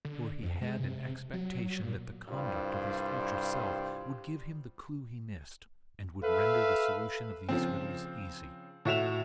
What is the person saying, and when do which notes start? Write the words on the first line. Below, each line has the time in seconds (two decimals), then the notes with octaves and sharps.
For he had an expectation that the conduct of his future self would give him the clue he missed, and would render the solution of these riddles easy.
0.05 D3
0.43 F2
0.61 G#3
0.80 C3
1.33 F#3
1.83 A#2
2.28 C2 G2 G3 F4 C5
6.22 A4 B4 E5 F5
7.49 C#3 F3 C4
8.85 A2 F#4 E5 E7 F7